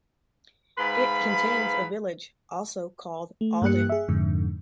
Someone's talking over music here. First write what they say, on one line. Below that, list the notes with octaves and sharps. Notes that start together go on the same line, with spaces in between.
It contains a village also called Alden.
G#2 B4 F5 B5
A3
G2 A#3 G4 F#6 C#7
G#4 E5
F2 G#2 D3